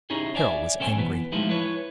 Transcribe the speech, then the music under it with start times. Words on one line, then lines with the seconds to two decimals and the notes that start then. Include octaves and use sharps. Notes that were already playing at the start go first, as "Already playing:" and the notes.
Carol was angry.
0.10 C#4 D#4 E4 G4 G#4
0.35 C#5 D5 E5 G#5
0.80 B1 C#4 A4 C5 G5 G#5
0.96 E3 B3 B4
1.32 F3 G#3 A3 D#4 E4 G4
1.49 E4 B4 C#5